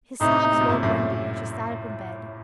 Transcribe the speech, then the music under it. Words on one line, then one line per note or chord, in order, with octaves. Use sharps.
His sobs woke Wendy, and she sat up in bed.
A2 C3 D#4
C3
A#2
A2 C3
F#2 A2